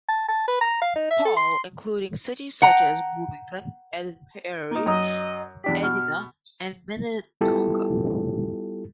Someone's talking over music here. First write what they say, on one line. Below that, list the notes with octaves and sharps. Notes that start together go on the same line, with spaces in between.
Paul including cities such as Bloomington, Eden Prairie, Edina and Minnetonka.
A5
A5
B4
A#5
F5
D#4
E5
A4
C6
F#5 G5 A#5
A#3 D#4
F#2 D#5 A#5 D#6
E2 D4 G4 B6
B2 F6
G3 B3 E4 F4 G4 A4